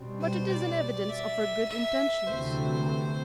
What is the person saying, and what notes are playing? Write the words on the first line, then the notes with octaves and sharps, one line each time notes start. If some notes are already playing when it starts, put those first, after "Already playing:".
But it is an evidence of her good intentions.
Already playing: B2 G3 C4
C5
D5
E5
E5
D2 C3 E3 A3 C4 C5